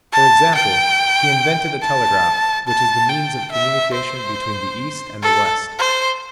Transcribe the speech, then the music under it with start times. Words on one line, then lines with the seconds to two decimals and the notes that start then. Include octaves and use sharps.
For example, he invented the telegraph, which is the means of communication between the East and the West.
0.12 A5
0.55 G5
1.82 A5
2.68 A5
3.09 G5
3.52 E5
3.94 C5
5.22 A4
5.79 C5